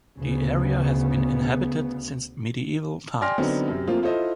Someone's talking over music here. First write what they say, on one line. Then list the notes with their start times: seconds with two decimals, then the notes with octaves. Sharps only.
The area has been inhabited since medieval times.
0.18 D2 C#3 B3
3.21 D5 G5 G#5 C6 F6 A#6
3.38 D3 F#3 B3 C4 D#4
3.68 F#2 C3
3.87 F3 A3 A#3 C4 F4
4.02 E4 F4 A4 C5 D#5